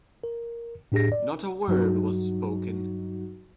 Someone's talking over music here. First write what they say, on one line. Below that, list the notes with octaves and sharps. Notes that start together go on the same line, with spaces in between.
Not a word was spoken.
A#4
A2 D4 G4 G#4 A#6
D5
G2 F#3 D#4 F#4